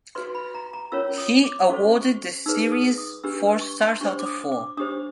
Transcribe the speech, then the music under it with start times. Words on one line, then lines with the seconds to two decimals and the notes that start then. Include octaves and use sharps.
He awarded the series four stars out of four.
0.15 F#4 B4 C6
0.35 B5
0.54 A#5
0.73 A#5
0.92 C#4 F4 A#4 C#5 E6
1.18 D#6
1.44 D6
1.69 C#4 F#4 A4 C5 C#6
1.95 C#6
2.46 D#4 G#4 B4 E6
2.72 D#6
2.98 D#6
3.24 D4 G4 B4 E6
3.61 C#6
3.81 C6
4.01 D4 G4 C5 C#6
4.19 D6
4.26 D#6
4.52 D6
4.77 D4 G4 C5 D#6